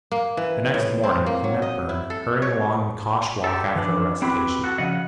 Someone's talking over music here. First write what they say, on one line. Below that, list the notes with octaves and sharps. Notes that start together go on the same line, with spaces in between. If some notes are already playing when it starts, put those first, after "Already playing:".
The next morning he met Burne hurrying along McCosh walk after a recitation.
A#3
E3
A2
C4
A#3
F#3
D#5
E4
A4
C#5
G4 A4
E3 F3 D4
C4 E4 F#4 G4 B4
F#4 A4
C#3 F3 D#5 F#5